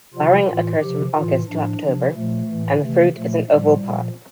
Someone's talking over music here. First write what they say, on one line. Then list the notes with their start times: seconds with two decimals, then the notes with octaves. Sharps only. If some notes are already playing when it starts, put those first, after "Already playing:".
Flowering occurs from August to October and the fruit is an oval pod.
0.14 C3 F3 F4
0.48 A2 E3 F4
0.82 C3 F3 G4
1.15 A2 E3 F4
1.49 A2 F3 D4
1.82 C3 F3
2.15 A#2 F3 A3
2.49 A2 E3
2.82 C3 E3 A3
3.16 A#2 F3 A3
3.50 A2 F3 G3
3.83 A#2 F3